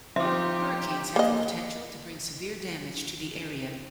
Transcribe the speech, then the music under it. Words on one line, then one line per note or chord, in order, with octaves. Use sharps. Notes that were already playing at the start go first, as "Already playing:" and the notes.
Hurricanes have the potential to bring severe damage to the area.
F3 C4 D#4 F4 G4 E5 C6 D6
A#3 D#5